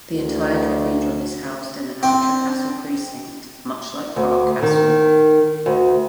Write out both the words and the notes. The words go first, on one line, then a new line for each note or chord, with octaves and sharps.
The entire cathedral is housed in the Nitra Castle precinct, much like Prague Castle.
D2
C4
D2
D#3
D2